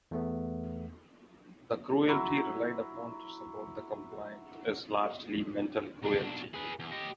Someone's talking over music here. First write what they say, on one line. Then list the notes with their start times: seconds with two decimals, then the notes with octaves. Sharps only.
The cruelty relied upon to support the complaint is largely mental cruelty.
0.11 E2 A3 B3
2.08 F#3 E4
6.02 B1 D4
6.54 G#4 B4
6.79 E2
6.92 G4 D#5